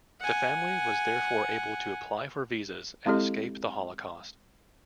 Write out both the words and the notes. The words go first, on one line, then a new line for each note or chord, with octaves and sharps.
The family was therefore able to apply for visas and escape the Holocaust.
F#5 G#5
G#3 C4 E4 G4 A4 D#5